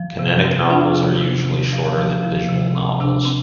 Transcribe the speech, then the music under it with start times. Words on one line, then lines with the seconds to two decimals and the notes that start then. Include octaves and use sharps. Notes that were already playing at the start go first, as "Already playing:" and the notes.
Kinetic novels are usually shorter than visual novels.
Already playing: F3
0.19 C3
0.44 C4
0.70 F3 D4 F4
0.95 C3
1.21 C3
1.46 C3
1.73 F3
1.98 F3
2.24 F3 E4
2.49 C3
2.75 C4
3.00 C3 D4
3.25 C4